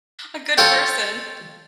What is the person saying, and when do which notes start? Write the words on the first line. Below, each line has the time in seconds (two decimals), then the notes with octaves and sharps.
A good person.
0.58 F4 A4 C#5 G5